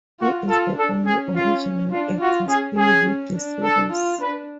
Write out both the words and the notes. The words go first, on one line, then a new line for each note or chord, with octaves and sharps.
He is the only original actor still with the series.
F4 F#4
F4 A4
D4 A4
C#4 G#4
F4
D4 F4
F4 F#4
C#4 G#4
C#4 G#4
C#4
D4
A4
F4
D4 B4